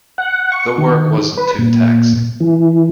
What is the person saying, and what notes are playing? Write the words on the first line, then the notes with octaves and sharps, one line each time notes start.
The work wasn't too taxing.
F#5
C#6
D#3
B4
A#2
E3